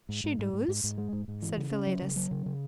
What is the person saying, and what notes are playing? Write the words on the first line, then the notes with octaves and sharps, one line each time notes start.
"She doos," said Philetus.
G#2
G#2
G#2
G#2
G#2
G#2
G#3
G#2
G#2
E3
C#3
C#4
F#3
C#3
F#3
C#3
C#3